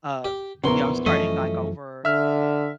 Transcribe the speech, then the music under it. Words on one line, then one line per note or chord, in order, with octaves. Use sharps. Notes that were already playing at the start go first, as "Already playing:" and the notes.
uh, you know, starting, like, over,
G4
A#1 E2 C#3 A#4 C6
F#2 E3 F3 A3 C#4 D#5
D3 E5 F6